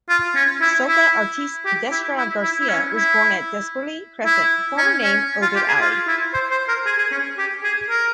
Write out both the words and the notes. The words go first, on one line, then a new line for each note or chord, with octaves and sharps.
Soca artiste Destra Garcia was born at Desperlie Crescent, former name Ovid Alley.
F4
C#4
E4
E4
G4
E4
E4
E4
E4
C#4
E4
E4
C#4
C#4
F4
G4
G#4
F4
E4
C5
C5
A#4
G#4
G#4
C#4
G4
G#4
A#4